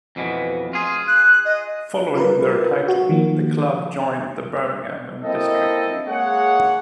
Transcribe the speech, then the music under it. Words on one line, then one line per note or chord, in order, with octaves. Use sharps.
Following their title, the club joined the Birmingham and District League.
F2 B2 E3
F4 G#4
F#6
D#5
F4 A#4 B4
F#4
D#3 F3 A#3
A#3 C4 E4 A4 D#5
G#3 A#3 G#4 C#5 F#5